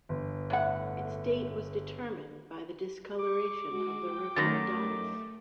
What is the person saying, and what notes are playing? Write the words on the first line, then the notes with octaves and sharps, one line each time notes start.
Its date was determined by the discoloration of the river Adonis.
G1
A2 F#5
C#6 D6
G#3 F#4
G5
F#2 D#3 A3 A6 A#6